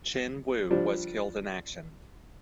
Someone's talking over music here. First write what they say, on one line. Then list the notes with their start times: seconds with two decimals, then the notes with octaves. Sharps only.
Chen Wu was killed in action.
0.71 F3 G3 D4